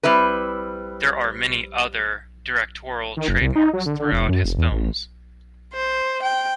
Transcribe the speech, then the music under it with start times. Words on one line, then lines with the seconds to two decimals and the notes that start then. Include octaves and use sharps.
There are many other directorial trademarks throughout his films.
0.03 G3 C4 E4 B4
3.17 D#3
3.28 F#1
3.41 C2
3.55 D#4
3.73 F#3
3.86 D3
3.99 D3
4.12 F1
4.29 F#2
4.45 F1
4.58 E2
4.71 A1
5.74 C5
6.23 G5